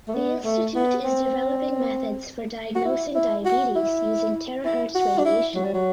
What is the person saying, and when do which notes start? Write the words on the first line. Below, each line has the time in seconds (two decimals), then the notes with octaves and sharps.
The institute is developing methods for diagnosing diabetes using terahertz radiation.
0.08 A3
0.14 B3
0.45 A3
0.75 B3
1.04 C4
2.75 F#4
2.85 E4
3.15 E4
3.45 F#4
3.75 E4
4.65 E4
4.95 F#4
5.18 D4
5.25 E4
5.55 F#3
5.64 G3
5.74 F#3